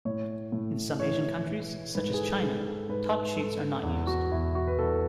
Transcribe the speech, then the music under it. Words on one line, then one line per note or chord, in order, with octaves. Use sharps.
In some Asian countries, such as China, top sheets are not used.
A2 C#5
A2
E3 C#5
E3
G#2 B4
G#4
A4
G#2 G#4
A4
G#2 B4
G#2 A4
E2
F#4
E2 E4
F#4
B4
E2 A4